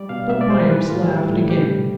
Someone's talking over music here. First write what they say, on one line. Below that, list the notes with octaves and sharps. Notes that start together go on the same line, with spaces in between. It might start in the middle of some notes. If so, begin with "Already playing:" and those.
But Myerst laughed again.
Already playing: G3 D5
B2 F5
B2 E5
D5
G3 C5
E3 B4
A2 F4
G3 E4
A2
G3 G4
C3